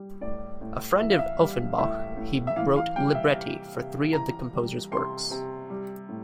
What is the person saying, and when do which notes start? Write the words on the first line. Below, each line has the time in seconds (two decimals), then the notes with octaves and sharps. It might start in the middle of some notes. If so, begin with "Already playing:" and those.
A friend of Offenbach, he wrote libretti for three of the composer's works.
Already playing: G3
0.21 A2 D5
0.61 A2
1.00 E3 E5
1.10 F5
1.19 E5
1.40 G3
1.78 A2 E5
2.17 A2
2.47 E5
2.56 E3 F5
2.76 F5
2.96 G3 G5
3.15 E5
3.34 C3
3.75 C3
4.13 E3 A#5
4.53 G3
4.92 C3 C6
5.31 C3
5.70 G3
6.09 A2